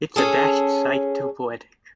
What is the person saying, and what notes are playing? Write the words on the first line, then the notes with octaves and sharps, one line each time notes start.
It's a dashed sight too poetic.
C#4 G#4 A4